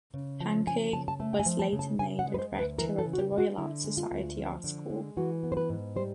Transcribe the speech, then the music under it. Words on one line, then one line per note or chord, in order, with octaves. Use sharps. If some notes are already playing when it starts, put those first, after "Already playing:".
Hanke was later made a director of the Royal Art Society art school.
C#3
F3 A5
C#3 G#5
C#3 A5
A5
A3 A5
G5
G#5
F3
A5
C#3
A5
C#3 G#5
F#5
G#3
B4
C5
D2
B4
E3 A#4
A4
C#3
F#4
G4
G#3
F#4
D3 E4
G#3
F4
D2
F3
D3
G#3
E3 F#4
B3
C5
B4
G#2
G3 C5